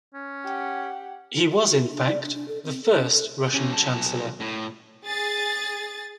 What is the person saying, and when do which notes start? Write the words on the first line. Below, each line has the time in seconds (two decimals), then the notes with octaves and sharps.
He was, in fact, the first Russian chancellor.
0.14 C#4
0.45 G4 F#5
1.51 G4
1.69 F#4
1.92 D4
2.06 D5
2.22 D4
2.34 D4
2.48 A4
2.64 C4
2.84 A4
2.98 C#4
3.11 A4
3.54 C#4 G4
3.73 B1 A5
4.40 A2
5.04 G#4 A6